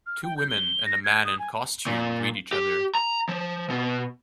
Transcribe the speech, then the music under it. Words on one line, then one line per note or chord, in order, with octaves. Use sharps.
Two women and a man in costume greet each other.
F6
G5
G6
G7
A#6
G#6
D#6
G#5
A#2
G4
A#5
F3
B2